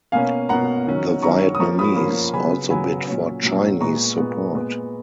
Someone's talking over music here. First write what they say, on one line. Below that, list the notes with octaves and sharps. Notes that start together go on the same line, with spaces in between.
The Vietnamese also bid for Chinese support.
B2 A#3 C#4 F5 G#5
B2 A#3 C#4 F#5 A#5
D#3 F#3 C#4
D#3 F#3 C#4 A#5 C#6
D#6
F3 A#3 C#4 A#5 C#6
B5 D#6
F3 A#3 C#4 B5 D#6
C#3 F#3 B3 G#5 B5
C#3 F#3 B3 G#5 B5
A#2 F#3 C#4
A#2 F#3 C#4
A#2 G#3 B3 A#5 C#6
A#2 G#3 B3
A#2 G#3 B3